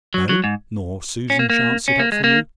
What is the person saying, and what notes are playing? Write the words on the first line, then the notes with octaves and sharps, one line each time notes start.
No: nor Susan shan't sit up for you.
F#3
F#3
G#2
C#4
A#3
A#3
C#4
A#3
G#3
A#3